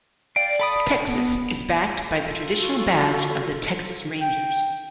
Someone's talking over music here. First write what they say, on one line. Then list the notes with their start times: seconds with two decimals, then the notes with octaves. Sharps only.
"Texas" is backed by the traditional badge of the Texas Rangers.
0.36 D5 F5 G5
0.59 A4 B5 D#6
1.08 B3
2.11 F4 A4
2.58 F#4
4.21 G5